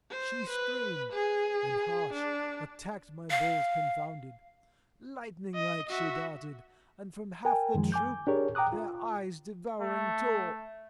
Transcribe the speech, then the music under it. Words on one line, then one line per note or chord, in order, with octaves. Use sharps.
She screamed, and harsh attacked my bulls confounded; lightning-like she darted, and from half the troop their eyes devouring tore.
C5
B4
G#4
D4
F5
D#5
F#4 E5
A#4 G5 G#5
F#2 D#3 F3 G#3
G#5 D6 G6
D4 G4 G#4 A#4 C#5
G5 A#5 D6 D#6 F#6
F4
A3